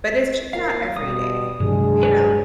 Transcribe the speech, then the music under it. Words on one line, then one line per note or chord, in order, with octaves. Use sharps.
But it's just not every day, you know?
A#3 F5
B2 G3 D#6
G2 C3 F#3 G#3 D4 G#4
B4 C#5 D5